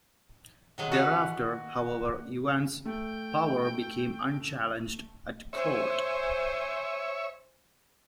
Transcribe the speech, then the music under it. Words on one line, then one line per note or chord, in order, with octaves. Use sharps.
Thereafter, however, Yuan's power became unchallenged at court.
D#3 F#3 G#3
F#4 A4 B4 F5
A3 G5
C5 C#5 E5 G#5